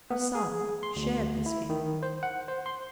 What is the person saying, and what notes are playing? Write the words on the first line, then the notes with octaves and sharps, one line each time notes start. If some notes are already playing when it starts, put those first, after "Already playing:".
Her son shared this feeling.
B3
G#4
C6
D2
E4
D#3
C5
F#5
C5
C6